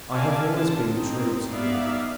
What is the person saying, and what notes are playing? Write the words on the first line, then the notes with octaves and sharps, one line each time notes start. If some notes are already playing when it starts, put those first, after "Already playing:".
I have always been true to you.
A#4 D5 E5 F5 G#5 A5
D3 C#4 D4 F4 A5
C4 D#4
B3 D#4 F#4 D5 E5 F5